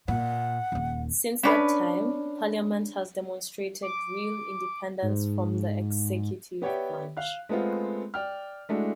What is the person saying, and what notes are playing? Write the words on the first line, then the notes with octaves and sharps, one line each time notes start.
Since that time, Parliament has demonstrated real independence from the executive branch.
A#2 F#5
D#1 D#2
C#4 D4 B4
D6
G#2
B3 G4 C#5 D5 E5 G5
F5 F#6
G#3 A3 B3 C4 F4
D5 G5 F6
G#3 A3 D4 E4 F#4